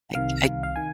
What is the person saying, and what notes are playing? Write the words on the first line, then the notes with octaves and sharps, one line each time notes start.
I I
C2 C3 D#3 F5
C2 C3 D#3
F5
D#3 G#5